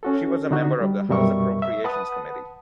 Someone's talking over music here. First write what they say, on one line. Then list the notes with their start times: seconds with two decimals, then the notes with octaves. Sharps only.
She was a member of the House Appropriations Committee.
0.03 C#4 F#4 A4
0.51 D3 D#4 F#4
0.80 G3
1.09 F#2 B2 G3 A#4 E5 C#6
1.62 E5
1.84 B4 F#5 A5 B5 D#6